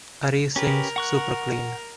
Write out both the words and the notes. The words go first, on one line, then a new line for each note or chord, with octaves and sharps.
Ari sings super clean.
C#4 G4 A#4 B4
F#5 C#6 F#6